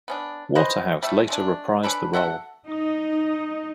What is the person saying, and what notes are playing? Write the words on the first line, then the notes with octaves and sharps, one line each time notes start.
Waterhouse later reprised the role.
B3 C#4 D4
C#3 B4 C5 D#5
G3 A3 E5
G#3 A3 D4
C#4 D4 A4 B4
F#4 A4 E5 F#5
D#4